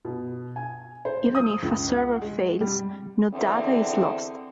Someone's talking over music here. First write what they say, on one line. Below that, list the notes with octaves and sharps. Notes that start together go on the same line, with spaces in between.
Even if a server fails no data is lost.
B2
G#5
C5
D#6
C#2
F#5
G#3
G3
E2 D3 C4